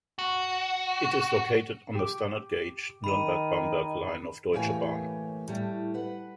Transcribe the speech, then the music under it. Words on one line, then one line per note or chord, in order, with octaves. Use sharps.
It is located on the standard gauge Nuremberg–Bamberg line of Deutsche Bahn.
F#4
G4 D6
D#3 B5 D#7
A2 E3 A#3 G4 C#5 G#5
A2 G3 A3
B4 F#5